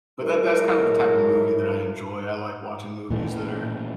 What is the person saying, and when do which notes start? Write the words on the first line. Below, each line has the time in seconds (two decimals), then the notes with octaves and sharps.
But that that's kind of the type of movie that I enjoy. I like watching movies that are,
0.23 F#3 G#3 E4 A4 A#4
3.10 A#2 E3 A3